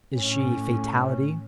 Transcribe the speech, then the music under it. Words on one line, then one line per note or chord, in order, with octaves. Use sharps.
Is she Fatality?
A2 C#4